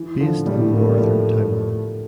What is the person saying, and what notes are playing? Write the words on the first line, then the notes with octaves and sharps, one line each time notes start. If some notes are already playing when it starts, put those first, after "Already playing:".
Based in Northern Taiwan.
Already playing: E3
D3 F3
A2
E3 G3
A#3
A3
G3
F3 A3